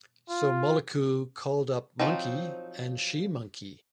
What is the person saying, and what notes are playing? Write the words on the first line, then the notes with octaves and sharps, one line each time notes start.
So Muluku called up monkey and she monkey.
F4
F3 F#3 C4 D#4